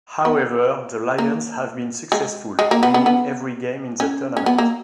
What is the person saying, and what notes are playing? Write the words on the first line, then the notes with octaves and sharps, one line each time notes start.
However, the Lions have been successful, winning every game in the tournament.
B3
A#3
G#3
G#3
A#3
B3
B3
B3
C#4
C#4
B3
A#3